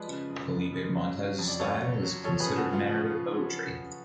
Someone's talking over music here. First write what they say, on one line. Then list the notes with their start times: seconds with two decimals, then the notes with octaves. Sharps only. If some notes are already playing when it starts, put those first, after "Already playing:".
Felipe Montes’ style is considered narrative poetry.
Already playing: F3 G#3 B4 D5
0.09 C#3
0.30 F#2
0.51 F#2
0.72 C#3
0.95 F#3
1.17 F#3
1.38 F2
1.48 D5
1.59 F#3 A4 C#5
1.82 F#3
2.03 F#3
2.24 F3 A4 C#5
2.40 G#4 B4
2.47 C#3
2.57 F#4 A4
2.68 C#3 F4
2.89 F3